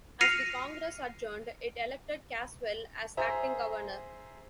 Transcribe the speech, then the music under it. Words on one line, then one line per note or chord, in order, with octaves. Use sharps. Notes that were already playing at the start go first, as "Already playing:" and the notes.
As the congress adjourned, it elected Caswell as acting governor.
F6 A#6 C7 C#7 D#7 F7
G#4 C5 E5 A#5